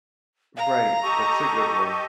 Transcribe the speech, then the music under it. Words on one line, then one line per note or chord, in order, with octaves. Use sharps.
Right, that's a good way.
F5 A#5
G4 A4 D#5 C#6